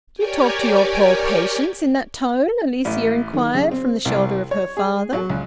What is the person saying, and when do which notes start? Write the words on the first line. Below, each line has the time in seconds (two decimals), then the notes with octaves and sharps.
"Do you talk to your poor patients in that tone?" Alicia inquired, from the shelter of her father.
0.15 G4 A#4 C#5 D5 G5 G#5
2.85 A1
3.33 D#3
3.54 C#3
3.71 C4
4.05 C2
4.51 C#5
4.77 G#4
5.13 F#3
5.30 C#2